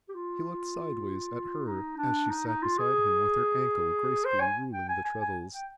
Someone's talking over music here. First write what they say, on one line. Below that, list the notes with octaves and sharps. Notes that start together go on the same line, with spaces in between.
He looked sideways at her as she sat beside him with her ankles gracefully ruling the treadles.
G4
F4
D#4
D4
D#4
D#4
F4
G#4
C5
G#5
G5
G#5
G#5
G#5
G5